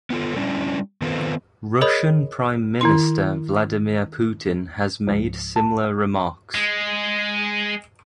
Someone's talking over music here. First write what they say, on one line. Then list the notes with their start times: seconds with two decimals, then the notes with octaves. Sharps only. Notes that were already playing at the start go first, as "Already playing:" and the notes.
Russian Prime Minister Vladimir Putin has made similar remarks.
0.10 B3 F4 A4
0.36 G3 C#4 D4 E4
1.02 D#3 B3 C4 F4 A4 B4
1.81 G#4 A#4 C#5 D#5 B5 D#6
2.81 D#3 E4 C6
5.07 C#2 G#2 F3
5.56 A5
6.55 G#3